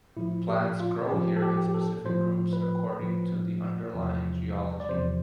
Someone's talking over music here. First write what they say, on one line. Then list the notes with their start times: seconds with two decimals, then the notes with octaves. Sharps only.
Plants grow here in specific groups according to the underlying geology.
0.17 A2 F3 E4
0.48 G4
0.80 F4
1.11 A2 F3 G4
1.37 A4
1.42 G4
1.64 G4
1.74 A4
2.05 A2 F3 C5
2.53 B4
3.00 A2 F3
3.94 E2 C3 F3
4.80 D5
4.89 E2 C3 F3 C5